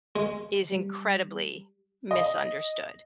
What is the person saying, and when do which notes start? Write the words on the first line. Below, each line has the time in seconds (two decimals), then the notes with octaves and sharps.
is incredibly misunderstood.
0.16 G#3
0.72 G3
2.11 D#5